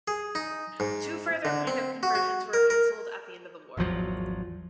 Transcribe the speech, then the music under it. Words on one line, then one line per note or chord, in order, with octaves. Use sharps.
Two further planned conversions were canceled at the end of the war.
G#4
D#4
G#2
D3
C4
F#4
F#4
A#4
A#4
G#1 E2 F3 F#3